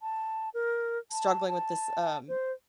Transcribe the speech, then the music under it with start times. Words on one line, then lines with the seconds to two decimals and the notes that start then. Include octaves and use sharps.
Struggling with this, um,
0.02 A5
0.54 A#4
1.11 A5
1.48 A5
2.28 C5